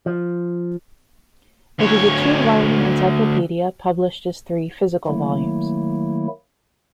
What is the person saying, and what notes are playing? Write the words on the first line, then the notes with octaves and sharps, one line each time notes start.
It is a "two-volume" encyclopedia published as three "physical" volumes.
F3
D2 C#5
D#3 F#3 A3 A#3 E4